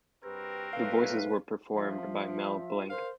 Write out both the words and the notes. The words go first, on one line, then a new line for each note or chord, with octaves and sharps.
The voices were performed by Mel Blanc.
G2 C4 F#4 G4 A#4 B4
B1 G2 A3 B4 F5
F3 F4 E5
A#4 C5 F5